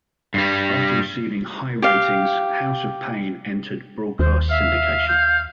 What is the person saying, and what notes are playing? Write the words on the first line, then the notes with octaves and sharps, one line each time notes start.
After receiving high ratings, "House of Payne" entered broadcast syndication.
G2 G3
G4 F5
D#2 C5
E5 F5
G6